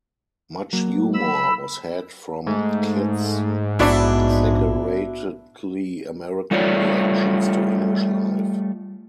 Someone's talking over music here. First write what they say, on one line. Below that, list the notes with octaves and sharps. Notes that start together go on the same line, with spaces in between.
Much humour was had from Kit's exaggeratedly American reactions to English life.
F#3 A#3
B5 E6
G#2 A3
A#1 B3 D4 E4 F#4 D5
G3 A3 F4 C#5 D5